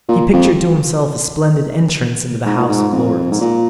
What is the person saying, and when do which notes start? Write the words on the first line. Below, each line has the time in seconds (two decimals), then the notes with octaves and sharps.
He pictured to himself a splendid entrance into the House of Lords.
0.08 A#2
0.33 F2
2.45 G#2
2.57 A#2
2.69 G#2
2.93 F2
3.31 G#2
3.41 A#2